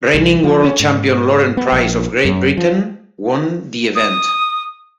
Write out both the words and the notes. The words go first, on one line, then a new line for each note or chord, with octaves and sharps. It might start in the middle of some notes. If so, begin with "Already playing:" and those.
Reigning World Champion Lauren Price of Great Britain won the event.
C2
F3
C#4
G#2
B3
A#1
F#2
F3
D#6